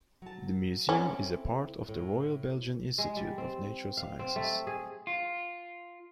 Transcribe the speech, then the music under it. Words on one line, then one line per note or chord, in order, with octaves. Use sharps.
The museum is a part of the Royal Belgian Institute of Natural Sciences.
F#3 A5
C4 C#4 E4 A4
A2
G#3
G3
C4
F5
C4
A3
G#4
F4